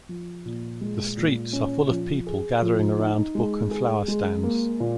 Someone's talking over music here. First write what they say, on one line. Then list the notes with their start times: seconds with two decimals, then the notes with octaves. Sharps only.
The streets are full of people gathering around book and flower stands.
0.09 F3
0.45 A#2
0.81 G#3
1.17 A#2
1.53 C#4
1.89 F3
2.26 G#4
2.62 F3
2.99 D#4
3.35 G#3
3.71 G#4
4.08 G#3
4.43 A#3
4.80 A#2